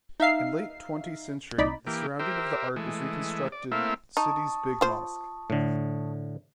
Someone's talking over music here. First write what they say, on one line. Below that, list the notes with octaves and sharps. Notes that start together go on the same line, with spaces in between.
In late twenty century the surrounding of the Ark is reconstructed city's big mosque.
D#4 E5 F5 C7
C2 D#4 D5 B5
E3 A#3 G4
G4 A#4 C5 E5
E3 G#3 A3
D5
A3 A#3 C4 E4 E5 F5
D#4 A5 C#6 D#6
F4 C5
A2 D3